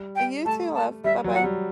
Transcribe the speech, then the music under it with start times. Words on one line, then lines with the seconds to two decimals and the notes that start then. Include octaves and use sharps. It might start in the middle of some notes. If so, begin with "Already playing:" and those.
You too, love. Bye-bye.
Already playing: G3
0.16 G5
0.46 A3 A5
0.74 A5
1.04 G3 E5
1.24 F#3
1.34 F#5
1.44 G3